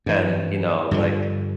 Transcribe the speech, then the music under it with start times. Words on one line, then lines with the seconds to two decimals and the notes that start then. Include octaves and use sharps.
and, you know, like,
0.06 G2 E3
0.91 G2 D3 F3